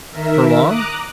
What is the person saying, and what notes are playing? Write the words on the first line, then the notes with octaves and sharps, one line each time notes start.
"For long?"
D#3 A#4 E5
A#5 D6 D#6 F#6